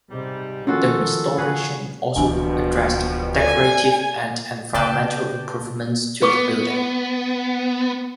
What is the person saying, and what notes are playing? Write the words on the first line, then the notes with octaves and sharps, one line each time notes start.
The restoration also addressed decorative and environmental improvements to the building.
G#2 C3 G3
D#3 F3 A#3 C#4 F4 F#4 A4
F4 F#4 G#4 A4 B4 C#5
D1 D2 B2 E3 F3 G3 D4 G#5
A4 C#5 D5 G#5
C#3 B4 D5 G5 A5 G6
B3 B4 C#6 D6